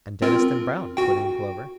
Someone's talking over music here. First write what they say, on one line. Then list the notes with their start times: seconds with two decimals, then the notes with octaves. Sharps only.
"And Deniston Browne," put in Clover.
0.22 C4 F4 A#4
0.97 F#4 G5